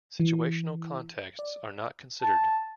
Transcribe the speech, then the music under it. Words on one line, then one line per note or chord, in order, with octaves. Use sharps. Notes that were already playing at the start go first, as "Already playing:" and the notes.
Situational contexts are not considered.
E3
D5
A5